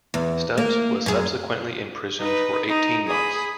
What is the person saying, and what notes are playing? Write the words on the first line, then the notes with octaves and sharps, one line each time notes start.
Stubbs was subsequently imprisoned for eighteen months.
E2
A#3
F#2 G#4
D#4 B4
D#4
G#4 B5